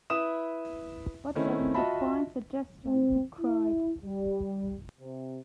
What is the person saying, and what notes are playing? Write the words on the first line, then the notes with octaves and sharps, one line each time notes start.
"But that is a fine suggestion," he cried.
E4 B4 E5 D#6 E7
D#3 A3 C4 C#4 E4
F4 F#4 D#5 E5 A5 B5
C4
E4
G3
C3